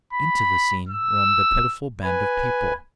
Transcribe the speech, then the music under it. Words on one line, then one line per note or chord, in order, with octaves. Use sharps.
Into the scene roamed a pitiful band of people.
B5
E6
B4 G#5